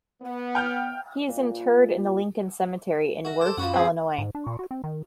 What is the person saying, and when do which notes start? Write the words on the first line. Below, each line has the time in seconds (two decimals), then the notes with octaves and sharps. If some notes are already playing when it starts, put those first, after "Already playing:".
He is interred in the Lincoln Cemetery, in Worth, Illinois.
0.22 B3
0.55 G5 F6 G6
1.29 A#2
3.25 F#4 A#4 E5
3.41 A4 C5 D6
3.57 F#2 F3 C#4 F#4 F#5 B5
3.74 C4 G#4 B4 B5
4.18 G#2
4.35 D4
4.47 A#2
4.59 F#4
4.71 C4
4.84 D#3